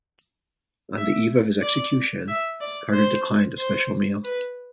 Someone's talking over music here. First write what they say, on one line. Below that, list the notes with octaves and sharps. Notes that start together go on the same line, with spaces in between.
On the eve of his execution, Carter declined a special meal.
E5
D5
E5
D5
C5
C5
B4